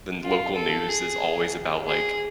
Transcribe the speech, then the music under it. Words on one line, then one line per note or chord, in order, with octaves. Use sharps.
then local news is always about, like,
F4
A4
G#4
G#4